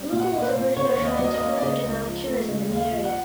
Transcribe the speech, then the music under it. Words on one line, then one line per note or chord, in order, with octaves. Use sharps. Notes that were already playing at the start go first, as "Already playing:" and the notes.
Local authorities are trying to further develop tourism in the area.
Already playing: G3
A#2
F#5
A#3
B4
C5
A#2
D3 C#5
C5
C#5
D#2
D#5
D5
F#3
D#5
D#5
A#3
D5
C#3 D#5
C#2
F3
A3
C#3
D#2
F5
F3
F#5